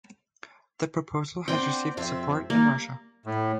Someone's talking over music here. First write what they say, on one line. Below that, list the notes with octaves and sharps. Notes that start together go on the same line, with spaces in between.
The proposal has received support in Russia.
B3 C4 D4 G5
F2 C4 E5
G3 A#3
A2